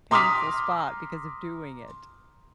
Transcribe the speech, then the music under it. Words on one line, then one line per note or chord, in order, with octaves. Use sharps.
painful spot because of doing it.
A#5 C6 D6 D#6 F6 B6